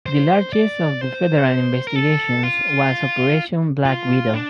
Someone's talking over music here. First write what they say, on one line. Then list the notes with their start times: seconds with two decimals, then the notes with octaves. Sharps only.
The largest of the federal investigations was Operation Black Widow.
0.06 C5
0.53 D5
1.01 C5
1.87 A#4
1.96 A4
2.43 F4
3.85 F4
4.34 D4